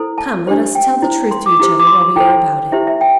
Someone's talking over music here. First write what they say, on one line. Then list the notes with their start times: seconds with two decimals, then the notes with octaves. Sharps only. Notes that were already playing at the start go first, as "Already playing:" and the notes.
"Come, let us tell the truth to each other, while we are about it."
Already playing: E4 A4 C5
0.18 A5
0.47 D4 G4 C5
0.75 G5
1.02 E4 C5
1.31 C6
1.46 D6
1.60 E4 G4 C5
1.80 D6
1.87 C6
2.01 C6
2.15 E4 A4 C5 G5
2.72 E4 G4 C5 E5
2.87 E5
3.01 G5